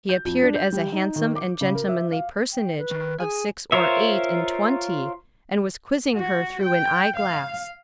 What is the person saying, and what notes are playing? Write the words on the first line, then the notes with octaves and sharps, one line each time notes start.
He appeared as a handsome and gentlemanly personage of six or eight and twenty, and was quizzing her through an eye-glass.
G6
F2
D4
G6
G3
D#4
D#3
D6
C#3
A#4
E5
F5
G5
B4
D#3
G#4 G#5
F4 A#4 C5 C#5 E5
F#4
G5
F5